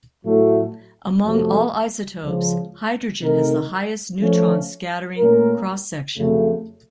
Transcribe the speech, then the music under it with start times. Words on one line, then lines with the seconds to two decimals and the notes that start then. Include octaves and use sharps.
Among all isotopes, hydrogen has the highest neutron scattering cross section.
0.24 A2 F#3 A3
1.23 F2 C3 F#3 A3
2.22 C#2 C#3 F3
3.20 C3 D#3 A3 D#4 A#4
4.19 F3 A3 C#4
5.17 A#2 A3 C#4 F4 A#4
6.16 F2 C#3 F#3 A3